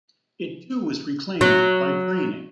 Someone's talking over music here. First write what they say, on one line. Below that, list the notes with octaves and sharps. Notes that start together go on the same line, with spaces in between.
It too was reclaimed by draining.
F#3